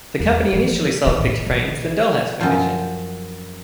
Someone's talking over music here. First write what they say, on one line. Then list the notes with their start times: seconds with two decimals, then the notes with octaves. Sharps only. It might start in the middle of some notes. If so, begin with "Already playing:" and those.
The company initially sold picture frames, then dollhouse furniture.
0.20 E2
0.52 E3 F3
1.07 D#3
1.20 A2
1.46 B1 E3
2.40 F#2 F3